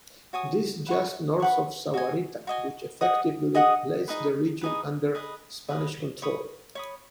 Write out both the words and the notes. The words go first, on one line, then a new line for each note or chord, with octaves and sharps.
This just north of Sahuarita, which effectively placed the region under Spanish control.
F#4 C#5 G#5 D#6
B4 F#5 C#6
B4 F#5 C#6
F#4 D#5 G#5
F#4 D#5 G#5
G#4 D#5 F#5 D#6
G#4 D#5 F#5 D#6
D#4 G#4 B4
D#4 G#4 B4
G#4 B4 D#5
G#4 B4 D#5
C#5 B5 D#6
C#5 B5 D#6